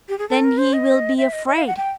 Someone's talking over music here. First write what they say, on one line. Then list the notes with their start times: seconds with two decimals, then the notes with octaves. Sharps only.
Then he will be afraid!
0.09 G4
0.19 G#4
0.29 A4
0.44 A#4
0.58 C5
0.73 D#5
1.18 E5
1.33 D#5
1.47 D#5
1.57 F5
1.67 F#5
1.77 G5